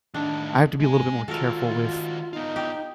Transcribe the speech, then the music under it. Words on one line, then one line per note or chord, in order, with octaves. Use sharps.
I have to be a little bit more careful with
A2 D#3 D4
G#3 G#5
D#3 F4 F#4 A4 A#4
B3 D#4 F4
G4